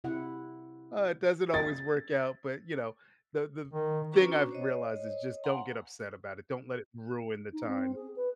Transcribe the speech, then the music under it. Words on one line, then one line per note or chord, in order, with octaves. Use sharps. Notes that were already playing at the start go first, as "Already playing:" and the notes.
it doesn't always work out, but, you know, the the thing I've realized is just don't get upset about it; don't let it ruin the time.
C3 E4 F#5
A6
D#3
C#4 D4 F#4 B4 A#5 C#6
C5 C#5 D#5
F5 F#5 G#5 A#5 C6
D#4
C4
G#4
B4